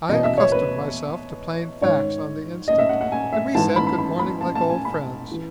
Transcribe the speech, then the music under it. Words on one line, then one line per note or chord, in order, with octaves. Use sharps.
I accustomed myself to plain facts on the instant, and we said good-morning like old friends.
E2 B2 D#5
E5
C#5
B4
G#2 D#3 C#5
D#5
E5
F#5
F#5
G#5
E5
G#2 E3 A5
B5
B5
B5
B5
A5
A5
G#5
B5
E3